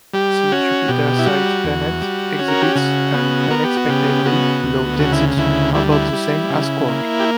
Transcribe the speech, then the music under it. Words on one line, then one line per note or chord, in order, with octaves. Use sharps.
The Jupiter-sized planet exhibits an unexpectedly low density, about the same as cork.
G3 G4
C#4 F#4
B2 G4
E4
G3 F#4
E2
G3
C#4
A#4
G4
C#3 F#4
B3
B3 A#4
G4
F#4
C#3 G4
B3 F#4
D2
C#3 F#4
E4
D2 E4
G3 E4
E4
G3
C#3
A#3
G4